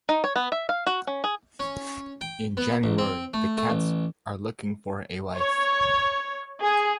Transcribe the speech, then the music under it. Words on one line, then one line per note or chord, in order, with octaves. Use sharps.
In January, the cats are looking for a wife.
D#4
C#5
B3
E5
F5
F#4
C#4
G#4
C#4
G5
B3
A1
C4
A3
A3
A1
C#5
G#4